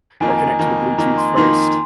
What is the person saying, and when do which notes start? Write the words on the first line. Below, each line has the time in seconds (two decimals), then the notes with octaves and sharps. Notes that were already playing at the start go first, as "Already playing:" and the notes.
or connect to the Bluetooth first,
0.20 F2 D#3 A#3 D#4 G#5
0.30 A#5
0.38 G#5
0.59 F2 D#3 A#3 D#4
0.98 F2 D#3 A#3 D#4 A#5
1.18 C6
1.36 F2 D#3 A#3 D#4 C6